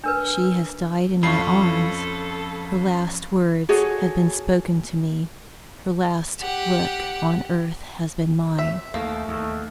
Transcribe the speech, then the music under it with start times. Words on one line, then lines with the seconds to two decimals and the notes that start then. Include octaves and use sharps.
She has died in my arms: her last words have been spoken to me, her last look on earth has been mine.
0.04 D4 A#4 B4
1.23 F2 F3 C#4 F4 A4 B5 C#6 C7
3.69 F#4 G#4 A4 C#5
6.40 G4 F#5
8.59 E5
8.94 D#2 A3 A#3
9.28 D#2